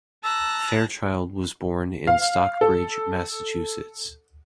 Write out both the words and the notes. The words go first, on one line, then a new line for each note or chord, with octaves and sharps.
Fairchild was born in Stockbridge, Massachusetts.
A5 A#5 E6 F#6
F5
A4